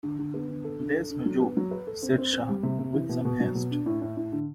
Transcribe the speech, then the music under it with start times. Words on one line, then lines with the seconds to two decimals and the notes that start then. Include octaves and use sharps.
"There's no joke," said Shah, with some haste.
0.03 D3
0.19 D3
0.34 B3
0.49 D3
0.64 A4
0.80 D4
0.95 A4
1.10 D4
1.26 F#3
1.41 B3
1.57 F#3
1.71 B4
1.87 A4
2.02 C4
2.18 C4
2.33 C4
2.49 G3
2.63 C3
2.79 C3
2.94 E3
3.09 B2
3.25 B2
3.40 F#3
3.55 B2
3.71 D4
3.86 A2
4.01 A2
4.17 A2
4.32 D3